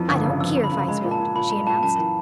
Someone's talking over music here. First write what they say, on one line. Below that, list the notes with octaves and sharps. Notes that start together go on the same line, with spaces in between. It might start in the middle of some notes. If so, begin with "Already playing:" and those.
"I don't keer if I is whipped," she announced.
Already playing: F2 E3
G1
C#3
F2 E6
G1 A#5
B5
C#3
G#3 A#5
A#2
A5
A#2
A#2 B5
G#3 A#5
A#2 A5
F#2 A5
E3